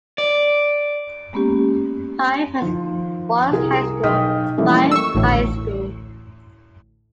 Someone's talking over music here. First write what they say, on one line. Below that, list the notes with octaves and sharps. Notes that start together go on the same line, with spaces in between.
Fife has one high school, Fife High School.
D5
G#3 A#3 B3 C#4 G4
D#3 F3
C2 G#4 A#4
B1 D#5 G5 D#6 F6 B6
E3 F3 G3 A3 A#3 C#4
C#6 E6
A1 D2 A2